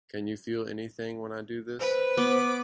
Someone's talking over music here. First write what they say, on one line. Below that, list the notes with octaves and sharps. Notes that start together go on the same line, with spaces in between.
Can You Feel Anything When I Do This?
B4 C5
B3 D6